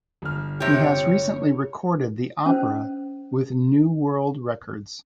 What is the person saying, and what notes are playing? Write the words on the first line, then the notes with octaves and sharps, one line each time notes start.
He has recently recorded the opera with new world records.
G1 F6
C3 G4 C#5
C#4 C5